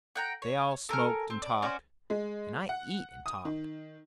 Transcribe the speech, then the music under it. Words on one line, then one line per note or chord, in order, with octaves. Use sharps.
They all smoked and talked, and I eat and talked.
F#5 G5 A#5
C#5
A4 A#4 G#5 F6
C4
D5
C#4 F#4 C5 D5
G#3
F#5
D#6
D#3